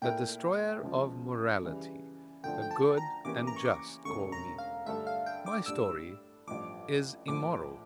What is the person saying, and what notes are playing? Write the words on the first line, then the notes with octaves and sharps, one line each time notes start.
The destroyer of morality, the good and just call me: my story is immoral.
A#2 A3 E4 A#4 G5
C#2 C#3 F3
C#3 E3 G3
D2 D3 F3 A3 G5
G5
A5
A#5
C#3 E3 A#3 C#4 G4 D6
A#5
C#6
D6
E1 D2 C#3 C#6
A#5
F5
G2 D3 A3 D4 A4 E5
F5
G5
D6
A2 G3 D4 E6
A1 G2 F3 D6
A#1 A2 F3 D6